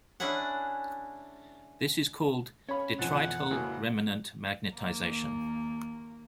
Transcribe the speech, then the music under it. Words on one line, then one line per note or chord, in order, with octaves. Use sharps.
This is called "detrital remanent magnetization".
C#4 D4 E4 G#4 F#5
C#4 C#5 F5 B5
F2 B2 E3 F#5 G#5 A6
C#2 A#3 E4 F#4 F5
D#2 A#3